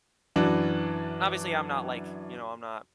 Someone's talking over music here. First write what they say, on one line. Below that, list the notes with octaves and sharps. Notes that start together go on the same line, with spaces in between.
Obviously, I'm not like, you know, I'm not
F#2 E3 D4 F#4